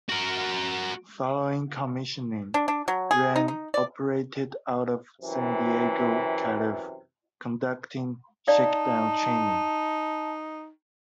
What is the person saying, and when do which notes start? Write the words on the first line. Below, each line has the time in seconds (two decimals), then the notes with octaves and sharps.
Following commissioning, "Wren" operated out of San Diego, Calif. conducting shakedown training.
0.09 F#4 A#4
2.54 D4
2.68 D4
2.88 F#3
3.11 G#4
3.36 D#4
3.48 D#4
3.74 D5
5.21 F#2 C3 E3
8.48 D#4 D5 F5 A5